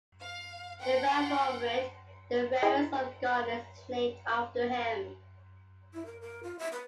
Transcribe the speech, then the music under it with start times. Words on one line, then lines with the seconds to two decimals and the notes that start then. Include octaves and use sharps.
Uvarovite, the rarest of garnets, is named after him.
0.21 F5
0.80 F#5 G5 A5 C6
2.62 E4 G#4 D#5
5.94 E4
6.06 A#4
6.21 A#4
6.43 F4
6.59 E5
6.72 B4